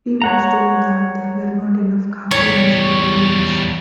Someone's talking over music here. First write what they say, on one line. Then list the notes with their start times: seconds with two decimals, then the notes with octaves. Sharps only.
He was told that there were not enough khaki ones for all the units.
0.22 C#5 F#5 A#5
2.31 E2 G3 C#5